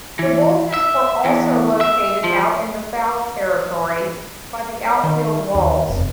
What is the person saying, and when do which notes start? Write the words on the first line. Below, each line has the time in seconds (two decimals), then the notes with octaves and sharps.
The bullpens were also located out in the foul territory by the outfield walls.
0.19 E3
0.74 E5
1.25 E2
1.81 E5
2.24 F3
5.04 D#3
5.55 D#2
5.90 F1